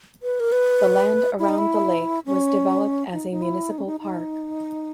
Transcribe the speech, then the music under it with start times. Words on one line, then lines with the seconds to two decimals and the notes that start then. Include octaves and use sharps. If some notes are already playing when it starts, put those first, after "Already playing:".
The land around the lake was developed as a municipal park.
0.23 B4
0.40 A#4
0.52 B4
1.39 E4
1.49 D#4
1.58 E4
2.26 C#4
3.13 D#4
3.31 D#4
3.42 E4
3.71 D#4
3.78 C#4
3.86 D#4
4.01 D#4